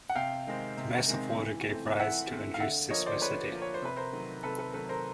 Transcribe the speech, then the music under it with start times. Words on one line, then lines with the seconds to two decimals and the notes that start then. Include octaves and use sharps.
The mass of water gave rise to induced seismicity.
0.10 F#5
0.16 C3 F5 G5
0.47 D#3 G#3 C4
0.77 C3
1.08 D#3 G#3 C4
1.39 E3
1.69 A3 C4
1.99 E3 E5 F#5
2.29 A3 C4
2.54 F5
2.60 D3 E5 F#5
2.90 F3 A#3 C#5 D#5
3.06 C5 D5
3.22 D3 B4 C#5
3.52 F3 A#3
3.62 C#5
3.74 C5
3.82 C3 B4
3.96 A#4 C5
4.13 D#3 F#3 A3
4.43 C3 A4 B4
4.59 A4 B4
4.74 D#3 F#3 A3 A4 B4
4.89 A#4 C5